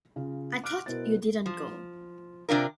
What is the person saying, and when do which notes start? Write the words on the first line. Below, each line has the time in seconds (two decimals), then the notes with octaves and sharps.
I thought you didn't go.
0.16 C#3 F4
0.64 D6 F6 F#6 D7
0.86 B2 E4 A#4 C5 A6
1.46 F3
2.49 C3 D4 F4 A#4